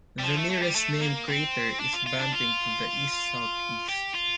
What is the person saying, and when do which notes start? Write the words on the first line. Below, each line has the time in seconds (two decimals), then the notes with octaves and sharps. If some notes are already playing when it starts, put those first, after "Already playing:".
The nearest named crater is Banting to the east-southeast.
0.19 G3
0.23 F3
0.36 A3
0.50 A3
0.62 G3
0.76 A3
1.02 A#3
1.28 C4
1.80 D4
1.93 F4
2.06 F4
2.19 D4
2.32 F4
3.89 G4
4.14 F4